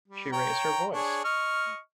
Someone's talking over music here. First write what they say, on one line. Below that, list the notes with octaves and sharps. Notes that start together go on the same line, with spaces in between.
She raised her voice.
G3
C#5 G5 A#5
D4 G#4 C#5
D#5 C#6 F6